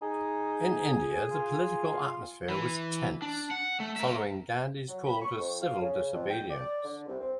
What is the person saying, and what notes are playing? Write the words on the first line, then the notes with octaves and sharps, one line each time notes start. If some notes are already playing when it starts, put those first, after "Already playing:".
In India, the political atmosphere was tense, following Gandhi's call to civil disobedience.
D#4 G#4
F4
E3
D4
F#5
A3
A#4 E5
F#3
B5
C#6
F2
F5
C#3
F2
G5
D5
D3
C2
C4